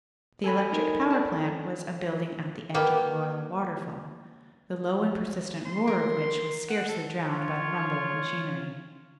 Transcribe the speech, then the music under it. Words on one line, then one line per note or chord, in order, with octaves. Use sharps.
The electric power plant was a building at the edge of Royal Waterfall, the low and persistent roar of which was scarcely drowned by the rumble of machinery.
F2 A4 G#5 B5
C4 D#4 A#4
D5 A5
A#3 B3 G4
C6
A#4
F#5
A4
F4 C#5